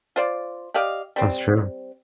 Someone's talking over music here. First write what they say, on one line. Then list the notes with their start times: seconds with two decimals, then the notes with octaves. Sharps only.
That's true.
0.16 F4 C5 D5
0.74 G4 D5 D#5 F5
1.16 G3 C4